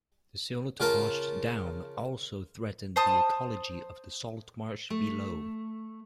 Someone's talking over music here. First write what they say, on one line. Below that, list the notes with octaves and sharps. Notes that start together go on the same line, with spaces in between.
The silt washed down also threatened the ecology of the saltmarsh below.
C#3 F4 A#4 A5
C5 A5 D#6
A3